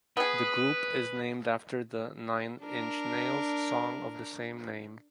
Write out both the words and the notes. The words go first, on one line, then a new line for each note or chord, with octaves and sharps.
The group is named after the Nine Inch Nails song of the same name.
B3 G#4 B4
D4 A#4